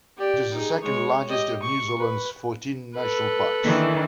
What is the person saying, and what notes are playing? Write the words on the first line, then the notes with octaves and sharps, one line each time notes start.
It is the second largest of New Zealand's fourteen national parks.
G4 D5
D#4 G#4
G#3 C#5
G4 D#5
C#6
B4
A4 B4
D#3 E3 D4